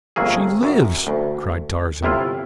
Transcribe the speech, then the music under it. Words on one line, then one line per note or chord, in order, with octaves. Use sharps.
"She lives!" cried Tarzan.
G1 F2 A3 A#3 G#4
F#2
D2
G1 C3 E4 F4